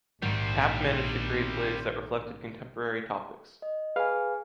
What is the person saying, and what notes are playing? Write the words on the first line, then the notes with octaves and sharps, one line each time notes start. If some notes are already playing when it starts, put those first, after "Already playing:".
Papp managed to create plays that reflected contemporary topics.
A#1 G#2 D#3 G3 C4
D#5
G#4 B4 F5 G#5 F6